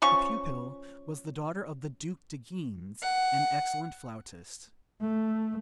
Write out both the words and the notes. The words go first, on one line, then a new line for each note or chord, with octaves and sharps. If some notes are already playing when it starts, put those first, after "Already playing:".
The pupil was the daughter of the Duke de Guines, an excellent flautist.
F3 C#4 C#6
F#5
A3